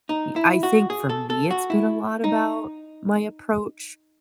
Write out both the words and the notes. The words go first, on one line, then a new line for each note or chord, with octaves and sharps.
y I think for me, it's been a lot about my approach,
D#4
E4
F#4
G#4
A4
A4
F#4
E4
D#4